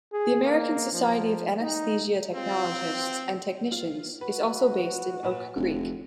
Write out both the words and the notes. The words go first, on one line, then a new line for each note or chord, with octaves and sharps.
The American Society of Anesthesia Technologists and Technicians is also based in Oak Creek.
G#4
A#3
F3
D#4
C4 F4
F4
F#4 B4
A#2 B4 E7
F1 D3